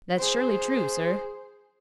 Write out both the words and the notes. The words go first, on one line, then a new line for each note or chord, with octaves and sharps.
"That's surely true, sir."
G#4 C5